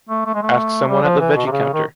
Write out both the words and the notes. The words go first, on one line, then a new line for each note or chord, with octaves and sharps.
Ask someone at the veggie counter.
A3
A3
G#3
A3
G3
F3
E3
B2
C3
C#3
D#3